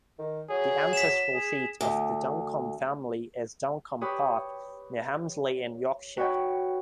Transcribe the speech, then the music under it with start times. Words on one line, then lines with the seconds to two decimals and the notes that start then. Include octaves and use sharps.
The ancestral seat of the Duncombe family is Duncombe Park near Helmsley in Yorkshire.
0.19 D#3
0.50 F#3 G#4
0.93 B6 E7
1.34 G#4
1.81 D2
4.01 G4 B4 C#5 D#6
6.17 D#4 F#4 B4 C#5 G5